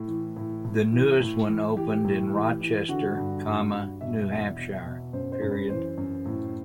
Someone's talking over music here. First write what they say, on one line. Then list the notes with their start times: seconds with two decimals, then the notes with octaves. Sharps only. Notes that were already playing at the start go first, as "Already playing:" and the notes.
The newest one opened in Rochester, New Hampshire.
Already playing: A2 A4
0.08 E3
0.37 A2
0.65 A2
0.93 E3
1.20 A2
1.48 E3
1.77 E3 G4
2.05 A2
2.33 E3
2.61 E3
2.88 D3 F#4
3.17 G2
3.45 G2
3.73 G2
4.01 B2 E5
4.30 E2
4.57 B2
4.86 B2
5.13 F#2 C5
5.32 C5
5.42 F#2
5.51 B4
5.69 E3 C5
5.97 F#2
6.26 A2